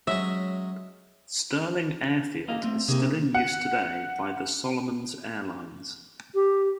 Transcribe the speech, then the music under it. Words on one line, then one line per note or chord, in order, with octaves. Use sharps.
Stirling airfield is still in use today by the Solomons Airlines.
F#3 G#3 C#4 E5
A#3 D#5 F5
A3 C4
C3 A#3 D#4 G#4
F#5
G4